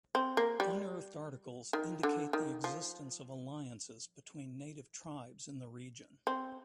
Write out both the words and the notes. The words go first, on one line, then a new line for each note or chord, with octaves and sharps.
Unearthed articles indicate the existence of alliances between native tribes in the region.
C4
A#3
G3
D#3
D3
D#3
F3
C4